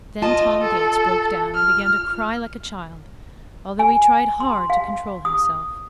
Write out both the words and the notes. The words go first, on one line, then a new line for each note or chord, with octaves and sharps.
Then Tom Gates broke down and began to cry like a child, although he tried hard to control himself.
F4 D#5 A5
A4
F6
G#5
C6
F5
D#6